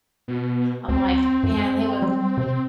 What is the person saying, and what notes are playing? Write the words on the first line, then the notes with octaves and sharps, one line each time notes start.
I'm like, "Man, they would
B2
D2 C4
F#2
G3
C3